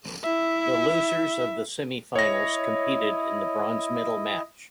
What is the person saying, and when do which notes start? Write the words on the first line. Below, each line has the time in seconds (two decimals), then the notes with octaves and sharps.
The losers of the semifinals competed in the bronze medal match.
0.23 E4 E5
2.16 E4 C#5 D#5 A#6